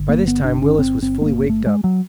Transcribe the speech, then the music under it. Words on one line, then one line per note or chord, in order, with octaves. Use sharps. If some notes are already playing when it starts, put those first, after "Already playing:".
By this time Willis was fully waked up.
Already playing: G1 G2 D3
A#3
B3
D4
C#4
C4
C4
B3
A#3
A3
G#3
F#3